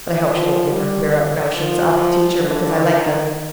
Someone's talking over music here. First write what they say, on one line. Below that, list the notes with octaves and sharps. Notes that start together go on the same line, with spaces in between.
But I hope she won't give her queer notions up, teacher, because I like them.
F3
G3
F3
D3
D#3